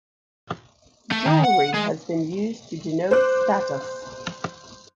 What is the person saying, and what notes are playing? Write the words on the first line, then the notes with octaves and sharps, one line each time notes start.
Jewellery has been used to denote status.
A3
D#3
F#5
G#3
C5 D6 F#6